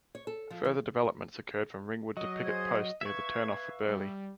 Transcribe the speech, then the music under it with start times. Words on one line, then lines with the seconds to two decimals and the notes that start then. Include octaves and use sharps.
Further developments occurred from Ringwood to Picket Post near the turn-off for Burley.
0.15 C#5
0.27 A4
0.50 F3
0.64 E3
2.17 F#3 D#5
2.45 G#4 C5 G#6
3.01 B4 E5 F5 C#6 G#6
3.88 G3